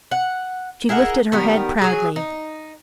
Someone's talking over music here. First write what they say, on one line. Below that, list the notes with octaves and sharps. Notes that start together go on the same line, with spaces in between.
She lifted her head proudly.
F#5
E4 G#4 A#4 F#5
D#3 G3 B3 A#4
F#3 G#4
D#4